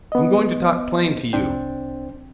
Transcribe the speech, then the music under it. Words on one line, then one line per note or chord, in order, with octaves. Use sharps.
I'm going to talk plain to you.
B3 D#5
C2 C4 D4 C5 G5